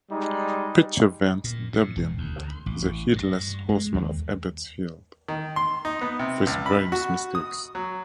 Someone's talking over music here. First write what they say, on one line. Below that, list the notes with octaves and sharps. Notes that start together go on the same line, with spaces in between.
Pitcher Vance dubbed him "the Headless Horseman of Ebbets Field" for his various mistakes.
G3 G#3 D#4
A#2
A2
E1
D2
A1
G2
G#3
D#2
D#3
C6
D#4
B3
C3
C#2
B5
F#4
D#6
F#3